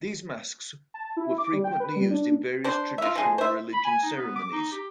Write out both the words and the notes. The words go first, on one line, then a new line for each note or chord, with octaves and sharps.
These masks were frequently used in various Traditional Religion ceremonies.
A5
E4
D6
G3
G5
B4
G3
D4
D4 C5
F4 E5
F3 G#3
C5 E5
B5
G#5
D#4
B3
D6
D#4
G4